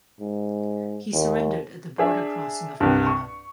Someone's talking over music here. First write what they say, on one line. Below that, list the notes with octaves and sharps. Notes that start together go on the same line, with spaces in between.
He surrendered at the border crossing of Malaba.
G#2
D#2
D4 G#4 E5
C2 G2
C#6